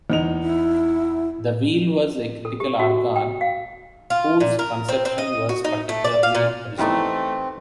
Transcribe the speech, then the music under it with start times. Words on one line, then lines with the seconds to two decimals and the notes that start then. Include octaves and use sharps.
The wheel was a critical organ whose conception was particularly original.
0.10 E2 D#4 F7
0.43 E4
2.45 A4
2.60 G4
2.80 F#4
3.16 G5
3.41 F5
4.10 F4
4.40 A#2
4.59 A#4
4.89 C4
5.05 C4
5.18 D#5
5.49 F#4
5.64 D#4
5.89 A3
6.04 D5
6.23 F5
6.35 A#2
6.78 E2 E3 A3 B3 C4 D#4 G4